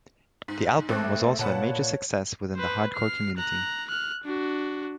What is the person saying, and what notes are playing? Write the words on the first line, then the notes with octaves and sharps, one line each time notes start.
The album was also a major success within the hardcore community.
G#2
A1 A3 C4 D6 F#6
A#2 B4 C#5 F#5 A5
B4 C5
F6 C7
A#5 F#6
F6 F#6
D4 F#4